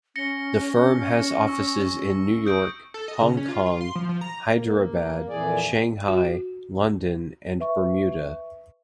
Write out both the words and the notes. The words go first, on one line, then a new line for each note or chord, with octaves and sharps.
The firm has offices in New York, Hong Kong, Hyderabad, Shanghai, London and Bermuda.
C#4 A#6 C#7 G7
C#6 E6
D#6 G6 D7
A4
D#5
C#3
C#4
F4
F4
C6
F3
F3
A#5
A#3
F2 A#2 E3 G#4 D5
F#4
B4 E5 C#6